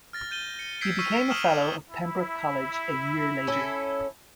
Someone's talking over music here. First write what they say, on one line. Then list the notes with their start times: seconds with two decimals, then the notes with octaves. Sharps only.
He became a Fellow of Pembroke College a year later.
0.13 F6 A6 A#6
0.31 G6 D#7 G7
0.59 C#7
0.81 E6 G6 G#6 B6 C7 D7
0.99 C#6 E6 F6 B6 C7 D#7
1.30 C#6 D#6 F6 E7 F#7 G7
1.90 E4
3.47 C#4 A4